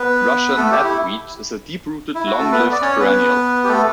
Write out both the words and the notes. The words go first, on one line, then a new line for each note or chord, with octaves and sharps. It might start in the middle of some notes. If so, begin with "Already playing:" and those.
Russian knapweed is a deep-rooted long-lived perennial.
Already playing: B3 B4
A3 A4
G4
E4
E4
F#4
A3 A4
B3 B4
D5
C#4 C#5
B3 B4
G4
A3 A4